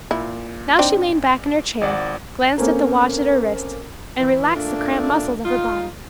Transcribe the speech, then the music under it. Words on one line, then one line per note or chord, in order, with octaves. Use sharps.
Now she leaned back in her chair, glanced at the watch at her wrist, and relaxed the cramped muscles of her body.
A#2 E4
C4 D4 D#4
G#1 D5 F#5
A#3 C4 C#4 A4 A#4
E3
A#2 A3 A#3 D4
A#2 D#4 F4